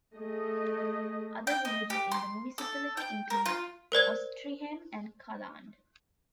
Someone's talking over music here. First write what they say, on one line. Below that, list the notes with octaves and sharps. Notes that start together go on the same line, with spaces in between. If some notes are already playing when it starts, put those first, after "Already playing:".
Other villages in the municipality include Austrheim and Kaland.
A3 G#4 D#5
G5
D#5
G4
C6
A4
G5
A#4
F4
A#4 C5 D5 G#6